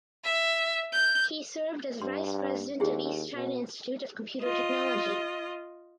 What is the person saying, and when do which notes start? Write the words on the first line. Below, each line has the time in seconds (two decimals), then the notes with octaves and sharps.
He served as Vice President of East China Institute of Computer Technology.
0.24 E5
0.92 G6
2.02 G2 C6
2.80 D#2 E4 G4 G#4
3.35 B2
4.43 F4 D#5